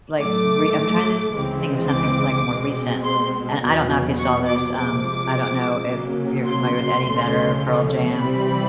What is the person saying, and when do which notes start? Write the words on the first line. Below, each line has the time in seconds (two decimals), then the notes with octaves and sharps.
like, re I'm trying to think of something, like, more recent, and I don't know if you saw this. Um, I don't know if you're familiar with Eddie Vedder, Pearl Jam.
0.19 A2 F#3 A3 D6
1.33 C#2 C#3 E3 G#3 C4
1.90 D6
2.47 B2 G#3 C4
3.03 C6
3.61 E2 B2 F#3 B3
4.18 C#6
4.47 D6
4.74 C3 F3 G#3 D6
5.88 C#3 F#3 A#3
6.46 C6
7.02 D2 C#3 F3 A3 C#4
8.16 C3 E3 G3 C4 B5